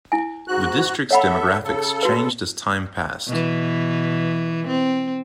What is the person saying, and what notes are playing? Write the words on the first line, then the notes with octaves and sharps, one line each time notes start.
The district's demographics changed as time passed.
E4 G#5
G#2 F#4 F#6
A4 C#5 E5 F#5 B5
C#3 A4
F#4 B4
B2 E3
C4